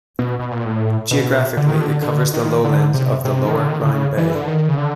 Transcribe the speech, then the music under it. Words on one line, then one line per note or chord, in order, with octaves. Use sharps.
Geographically it covers the lowlands of the Lower Rhine Bay.
B2
B2
A#2
A2
B2
D3
D#3
D3
D3
D#3
D3
C3
C3
D#3
D3
D#3
D3
C#3
E3
D3
D#3
C#3
D3